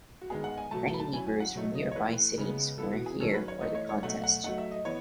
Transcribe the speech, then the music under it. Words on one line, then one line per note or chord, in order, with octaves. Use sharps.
Many negroes from nearby cities were here for the contest.
F#4
D#3 G#3 B3 G#4
F#5
G#5
B2 F#3 A3 A5
A5
B5
A5
F#3 C#4 E4 G#5
G#5
F#5
B2 F#3 A3 D#4
D#5
C#5
E3 A3 E4 B4
C#3 G#3 B3
E3 B3 E4 A4
F#4
G#4
D#3 F#3 C#4 A4
B4
C#5
E3 A3 D#4 D#5
C#5
C#5
B2 F#3 A3 D#4 F#5
F#5
F#3 A3 D#4 F#5
E5
D#5
E3 B3 C#5